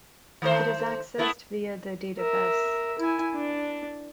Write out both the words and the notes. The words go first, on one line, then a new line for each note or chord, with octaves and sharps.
It is accessed via the data bus.
D#3 A3 C5
A3 B3 E4
A#4 E5
E4 G#5
D4